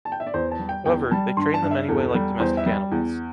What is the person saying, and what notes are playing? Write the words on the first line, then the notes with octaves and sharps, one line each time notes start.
However, they trained them anyway like domestic animals.
A5
G5
E5
D5
E2 C5
A5
G3
G5
E2 G5
G3 A5
G2 C6
A5
G2
E5
E2 A4
G3
E2 C5
E5
G3
E2